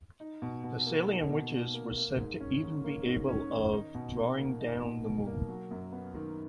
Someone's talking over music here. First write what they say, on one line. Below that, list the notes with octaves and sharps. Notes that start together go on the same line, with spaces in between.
Thessalian witches were said to even be able of drawing down the moon.
D#4
B2
B2
A#3
D#4
B2
B2
A#3
A#3
G#2
C#4
D#3
A#3
G#2
C#4
D#3
D#4
B2
B2
A#3
D#4
B2
B2
A#3
F#3
F#2
B3
D#3